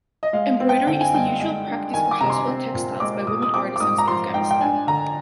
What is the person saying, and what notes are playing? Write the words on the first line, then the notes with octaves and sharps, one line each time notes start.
Embroidery is the usual practice for household textiles by women artisans in Afghanistan.
D#5
G#3 F5
C4
G5
D3 G5
G#5
G2 G5
G#3
D4
D#3 G#5
D6
C3 A#5
C6
C4
A#2
G#3 D6
A#2 D#6
D#6
C4 D6
D6
G#2 D#6
A#5
F3 C6
G#2 G5
G5
D4 G#5
D3 A#5